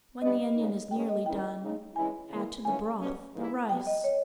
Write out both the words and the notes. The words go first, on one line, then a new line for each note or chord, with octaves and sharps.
When the onion is nearly done, add to the broth the rice.
G2 G3 B3 D#5
C#3 G3 B3 D#4
B2 G#3 C#4 G5
D#5
D#3 G#3 C#4 E4 G5
C#3 G#3 D#4
C#3 E3 G#3 C#4 E4 G#5
C#3 E3 A#3 E4
D#2 C#3 E3 A#3 C#4 G#5
B2 G3 C#4
G#2 E3 G3 A#3 E4
B2 G3 B3 G5
D#5
C#5